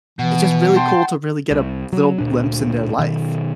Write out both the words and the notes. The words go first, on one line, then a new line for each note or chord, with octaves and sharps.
it's, just, really cool to really get a little glimpse in their life.
B2 E3 F#5
G5 A5 C6
C2
F#3
D2 A#2 D4
B2 D#3